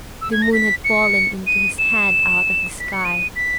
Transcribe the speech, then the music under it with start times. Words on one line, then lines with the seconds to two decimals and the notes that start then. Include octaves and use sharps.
The moon had fallen into his hand out of the sky.
0.21 E6
0.32 G#6
0.42 A#6
0.53 B6
0.84 C#7
1.47 D#7
1.78 E7
2.80 B6
2.92 C#7
3.05 D#7
3.36 B6